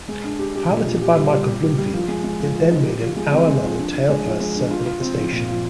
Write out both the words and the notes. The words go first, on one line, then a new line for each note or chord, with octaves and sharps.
Piloted by Michael Bloomfield, it then made an hour-long, tail-first circle of the station.
G#3
D4
G4
G4
A#2
A#2
G4
G3
G3
G4
G3
G3
F3
G#3
G#3
F3
F3
D#4
G4
F3
G#3
C4
G#3
F3
D4
D4
G#3
F3
G#3
D4
F4
F4
C4
F3
A#2
F3